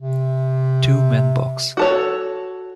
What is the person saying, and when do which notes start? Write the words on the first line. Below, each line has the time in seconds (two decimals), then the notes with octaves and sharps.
Two men box.
0.01 C3
1.77 F#4 A4 C#5